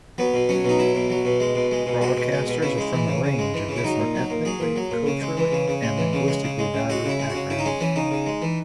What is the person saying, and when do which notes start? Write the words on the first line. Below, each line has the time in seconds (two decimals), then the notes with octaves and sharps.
Broadcasters are from a range of different ethnically, culturally and linguistically diverse backgrounds.
0.18 F#3 B3
0.34 B2
0.49 F#3 C#4
0.64 B2 D#4
0.79 F#3 E4
0.95 B2
1.10 F#3
1.25 B2
1.40 G#3
1.55 B2
1.71 G#3
1.86 B2
2.01 G#3 F#4
2.17 B2
2.32 G#3
2.47 B2
2.62 C#3 E4
2.78 G#3
2.93 E3
3.08 C#3
3.24 C#3
3.39 G#3
3.54 E3
3.69 C#3
3.76 E4
3.84 F#3 D#4
3.99 A#2
4.15 F#3
4.30 A#2
4.45 F#3 G#4
4.61 A#2
4.76 F#3
4.91 A#2
5.06 C#3
5.21 G#3
5.37 E3
5.52 C#3
5.68 C#3
5.83 G#3
5.98 E3
6.13 C#3
6.28 G#3
6.43 C#3
6.59 G#3
6.74 C#3
6.89 G#3 F#4
7.05 C#3 E4
7.19 G#3
7.30 C#3 F#4
7.50 C#3 E4
7.59 D#4
7.65 G#3 C#4
7.80 E3 C#4
7.96 C#3 D#4
8.11 C#3
8.26 G#3
8.42 E3